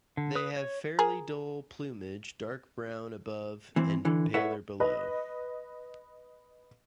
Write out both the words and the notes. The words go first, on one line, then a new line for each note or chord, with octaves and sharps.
They have fairly dull plumage, dark brown above and paler below.
D3
B4 D#6
C#5
G#4 A#4
E3 C4
D3 E3
E4 A4 B4 C#5 E5 F#5
B4 D#5